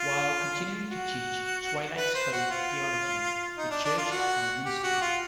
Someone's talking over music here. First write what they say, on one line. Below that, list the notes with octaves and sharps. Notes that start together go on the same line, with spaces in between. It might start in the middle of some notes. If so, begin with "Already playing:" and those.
While continuing to teach, Twilight studied theology, the church and the ministry.
Already playing: F4
F#4
B4
C5
F#4
F4
D#4
D4
D4
F4
F#4
G4
F#4
F4